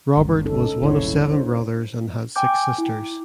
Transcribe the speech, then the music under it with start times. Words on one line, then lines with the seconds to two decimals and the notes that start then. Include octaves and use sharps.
Robert was one of seven brothers and had six sisters.
0.17 G1 C#2
0.45 C#4 D#4 A4
0.83 D#1 G#1 C#3 E4 C#5
1.28 D4 C5
2.36 G5 G#5 D6 G6
2.78 E4